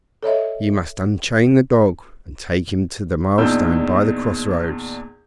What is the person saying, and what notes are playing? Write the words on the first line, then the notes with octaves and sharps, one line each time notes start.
You must unchain the dog and take him to the milestone by the crossroads.
A4 C#5 D#5 E5
E2 A#2 D4 D#4 E6 G6